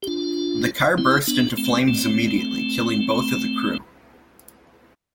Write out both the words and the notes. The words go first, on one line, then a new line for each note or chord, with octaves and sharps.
The car burst into flames immediately, killing both of the crew.
G4
D4 F4
C4 E4
B3 D4
A3 C4
A3 C4